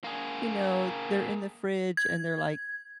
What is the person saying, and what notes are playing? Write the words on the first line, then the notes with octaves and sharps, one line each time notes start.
you know, they're in the fridge and they're, like
A#3 G#4
G#6